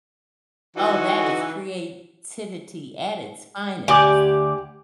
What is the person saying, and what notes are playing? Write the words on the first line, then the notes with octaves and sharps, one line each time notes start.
Oh, that is creativity at its finest.
E3 D#4 F#4
D2 G4 D5 G#5